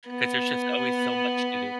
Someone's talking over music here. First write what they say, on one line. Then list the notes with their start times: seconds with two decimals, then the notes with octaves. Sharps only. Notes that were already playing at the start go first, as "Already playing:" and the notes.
'cause there's just always so much to do.
0.10 B3